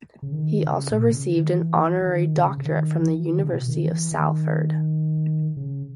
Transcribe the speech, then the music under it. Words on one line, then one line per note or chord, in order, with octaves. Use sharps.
He also received an honorary doctorate from the University of Salford.
C#3
D#3
C#3
A#2
C#3
D#3
E3
E3
D#3
C#3
C#3
D#3
E3
D#3
C#3
B2
D#3
E3
D#3
C#3